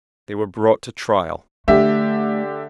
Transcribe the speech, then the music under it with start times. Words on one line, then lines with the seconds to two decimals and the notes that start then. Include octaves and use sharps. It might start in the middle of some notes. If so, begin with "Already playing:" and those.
They were brought to trial.
1.68 D3 A3 G4 E5